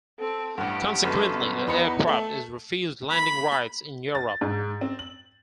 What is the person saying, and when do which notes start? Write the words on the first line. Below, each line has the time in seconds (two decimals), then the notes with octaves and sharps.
Consequently, the aircraft is refused landing rights in Europe.
0.19 C4 A4
0.58 A1 G2 G4 F#5
1.03 G1 F#2 A4 B4
1.34 B3
1.67 E2 D#4 B5 C#7
2.07 A3 A4 F#7
3.10 B5
4.15 A6
4.41 G#2
4.81 C4
4.99 F#7